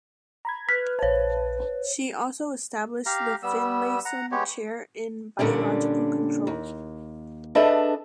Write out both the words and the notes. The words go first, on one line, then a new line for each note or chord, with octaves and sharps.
She also established the Finlayson Chair in Biological Control.
A#5 B5 G#6
B4 F6 F#6 G#6 B6
A#1 C5 C#5 A5
G4 F5 A#5
G3 B3 E6
F#5 A#5
G#3 B3 G4 C#5
A#2 D3 G3 C#4 D4
D#2
D4 G#4 A4 B4 D#5 E5